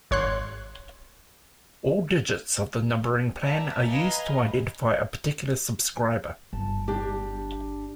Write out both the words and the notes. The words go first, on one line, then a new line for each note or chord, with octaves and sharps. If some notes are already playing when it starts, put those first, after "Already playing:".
All digits of the numbering plan are used to identify a particular subscriber.
G#1 C#5 C6 F#6
D5 E5 A5 A#5
B4 D#5 F5 G#5 A#5
G1 A5
D4 G4